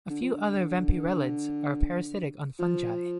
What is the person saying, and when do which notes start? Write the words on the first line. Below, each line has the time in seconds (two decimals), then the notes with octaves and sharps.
A few other vampyrellids are parasitic on fungi.
0.10 D3
0.22 F3
0.34 D3
2.59 F3